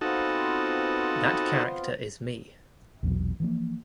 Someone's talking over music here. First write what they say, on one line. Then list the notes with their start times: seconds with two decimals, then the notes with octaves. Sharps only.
That character is me.
0.01 B3 C4 D#4 F4 F#4 A4
3.03 A#1 E2 B2 F#3
3.40 E3 F3 A#3